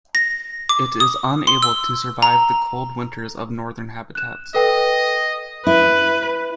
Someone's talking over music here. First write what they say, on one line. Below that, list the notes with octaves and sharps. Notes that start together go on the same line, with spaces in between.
It is unable to survive the cold winters of northern habitats.
A#6
D6
D#6
C6
E6
A#5
F#6 E7
A4 B4 D#5 G5
E4 B4